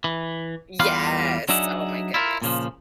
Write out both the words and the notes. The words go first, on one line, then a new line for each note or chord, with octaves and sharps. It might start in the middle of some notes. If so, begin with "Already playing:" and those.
Yes. Oh, my goodness.
E3
E2 G3 F4 B4 F5
F#3 D4 D#4 G#4 E5 F#5
E4 F4 A#4
A#2 C#3 F3